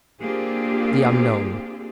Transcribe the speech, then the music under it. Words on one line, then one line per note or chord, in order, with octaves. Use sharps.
The Unknown.
A#3 C4 D4 F4 G4 G#4